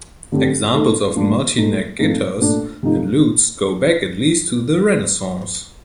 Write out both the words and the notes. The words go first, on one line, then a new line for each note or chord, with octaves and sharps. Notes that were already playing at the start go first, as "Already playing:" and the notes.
Examples of multi-neck guitars and lutes go back at least to the Renaissance.
D3 A3 C4 G4
A3 D#4 A4
A2 F3 A#3 D4
A#2 A3 D#4
A#2 F3 A3 C4 D#4
A#2 A3 D4
C3 F3 A3 D#4